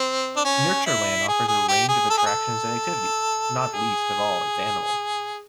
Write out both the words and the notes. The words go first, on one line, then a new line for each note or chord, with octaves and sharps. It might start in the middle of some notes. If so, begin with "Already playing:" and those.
Natureland offers a range of attractions and activities, not least of all its animals.
Already playing: C4
D4
C#4
E4
G#4
G#4
G4
G#4
A4
G#4
A4
G#4